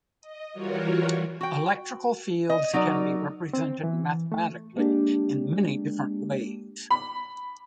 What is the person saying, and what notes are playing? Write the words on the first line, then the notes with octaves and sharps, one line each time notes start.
Electrical fields can be represented mathematically in many different ways.
D#5
E3 G3 F4 F#4 A#4 C#5
F#4 G5
D#5
F#3 D#4 A#4 D5
C4
E3
A3
G#3 A#3 D4 G4
B5